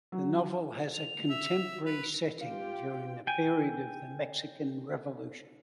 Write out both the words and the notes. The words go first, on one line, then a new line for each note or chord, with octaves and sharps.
The novel has a contemporary setting during the period of the Mexican Revolution.
F#3
F7
E5
B4 F7
F4 G4 F5 G5
G5 G#5